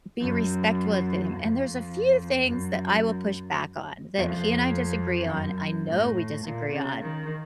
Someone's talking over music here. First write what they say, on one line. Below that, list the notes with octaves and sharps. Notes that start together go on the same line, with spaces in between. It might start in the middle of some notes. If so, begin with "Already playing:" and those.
be respectful of him, and there's a few things that I will push back on that he and I disagree on, I know we disagree on,
F#2
F2
F#2
F2
F#2
A2
A#2
C#3
D#3